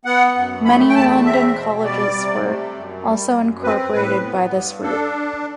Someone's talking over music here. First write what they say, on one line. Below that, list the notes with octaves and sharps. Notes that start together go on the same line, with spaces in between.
Many London colleges were also incorporated by this route.
B3 F#5
F#2
A3 B5
G5
E2 A5
C4 E5
B2
G3 D5
C3
A3
F#2
G3
F#2
C4 B4
A2 B4
B3
G2
D4 A4